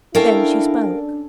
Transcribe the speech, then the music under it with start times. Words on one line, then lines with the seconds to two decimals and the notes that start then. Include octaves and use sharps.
Then she spoke.
0.15 C#4 D4 E4 A4 A#4 F5 G5